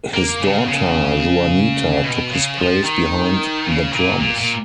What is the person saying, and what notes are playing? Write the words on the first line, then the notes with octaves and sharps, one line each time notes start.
His daughter Juanita took his place behind the drums.
A#3
C#3
C#3
B2
C#3
F3
D#3
C#3
A#2
A#2
A#2